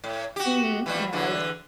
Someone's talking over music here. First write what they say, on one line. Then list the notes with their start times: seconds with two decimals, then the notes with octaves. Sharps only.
Mhm, yeah, it's
0.04 A2
0.36 F#4 G4
0.86 E3 F3 G3
1.13 E2 D3 E3